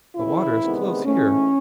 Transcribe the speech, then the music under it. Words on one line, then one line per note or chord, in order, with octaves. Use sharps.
The water is close here.
E2 C#3 E3 E4
E2 C3 D#3 G#3 B3
G#2 E3 A3 C#4